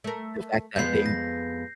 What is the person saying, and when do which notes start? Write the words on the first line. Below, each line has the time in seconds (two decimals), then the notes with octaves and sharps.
the fact that they
0.04 A3 A#4
0.76 F2 G#3 B3 G6 C7
1.06 A#6